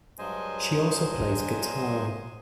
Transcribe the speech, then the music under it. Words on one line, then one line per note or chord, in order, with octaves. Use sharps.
She also plays guitar.
G2 F#3 G#3 C5 D#5 G#5